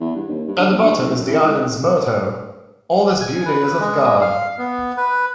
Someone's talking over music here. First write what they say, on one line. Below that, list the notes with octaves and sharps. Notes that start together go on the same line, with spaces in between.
At the bottom is the island's motto "All this beauty is of God".
E2
G2
D#2
G2
D3
A#1
D2
F#1
F#2
E3
G#2
G#5
B4
G#3
F5
B3
B4